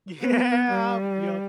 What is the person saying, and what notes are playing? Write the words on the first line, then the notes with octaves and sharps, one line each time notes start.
Yeah. Yep.
B3
G3